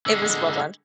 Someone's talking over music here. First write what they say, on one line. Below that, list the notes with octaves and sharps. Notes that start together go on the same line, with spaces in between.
it was well done.
D3 G#3